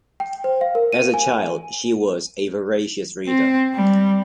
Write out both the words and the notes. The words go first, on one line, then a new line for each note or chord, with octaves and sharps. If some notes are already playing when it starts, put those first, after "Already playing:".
As a child, she was a voracious reader.
G5
C5
F5
A#4
D#7
G#5
C4
G3